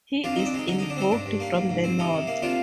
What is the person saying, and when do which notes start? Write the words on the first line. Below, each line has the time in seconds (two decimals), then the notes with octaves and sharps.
He is invoked from the North.
0.24 F2 D4 F4
0.36 C4 D#4
0.46 D4
0.54 G#3 D#4
0.68 D3 D#4
0.79 D3 D#4
0.90 D4
0.96 C4 D#4
1.11 G2 D4
1.26 G2
1.40 A#3
1.55 G#2
1.69 G#2
1.84 C4
1.99 C3 D#4
2.13 C3
2.27 A#3
2.42 C3 D4 F4